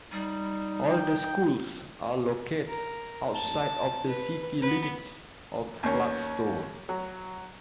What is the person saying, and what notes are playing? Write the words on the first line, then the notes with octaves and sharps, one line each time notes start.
All the schools are located outside of the city limits of Clarkston.
G3 D#4
G5
A#4
A5
B4
B3 B4
D#2 A#3 C#4
F#3